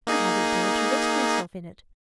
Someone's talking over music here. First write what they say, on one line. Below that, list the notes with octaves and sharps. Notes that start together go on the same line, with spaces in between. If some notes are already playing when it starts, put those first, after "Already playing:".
I haven't dared to risk myself in it.
A#3 D#4 G#4